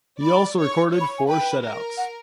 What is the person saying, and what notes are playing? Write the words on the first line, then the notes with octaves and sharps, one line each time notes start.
He also recorded four shutouts.
D5 B5
C#5
C#5
B5
G#5
B4 G5
A#4
F#5